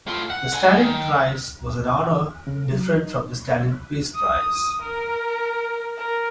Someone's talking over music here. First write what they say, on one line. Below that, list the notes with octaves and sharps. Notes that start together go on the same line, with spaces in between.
The Stalin Prize was an honor different from the Stalin Peace Prize.
A2 F4
F#5
D3 G#5
D#3
C#3
F#3
D#4
D#6
A#4
A#4